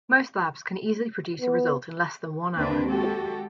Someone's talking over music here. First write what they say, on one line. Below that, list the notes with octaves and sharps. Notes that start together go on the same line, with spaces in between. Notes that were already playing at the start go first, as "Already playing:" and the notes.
Most labs can easily produce a result in less than one hour.
B3
D#2 A#3 C4 D4 E4 B4
G#3 F#4 G4 A4